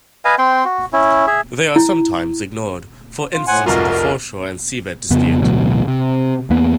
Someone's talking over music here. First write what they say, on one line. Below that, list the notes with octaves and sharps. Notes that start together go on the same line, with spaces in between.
They are sometimes ignored, for instance in the foreshore and seabed dispute.
B4 D#5 F5 G#5
C4 G5 C6
F#4
C#4 E4
G#4 E5
E4
F4
A2 C5 F#5 G#5
F1 C2 F4 F#4 A#4
A#4
F2 C#3 B3
A1 D2 B2 F#3
C3
E2 A#3 B3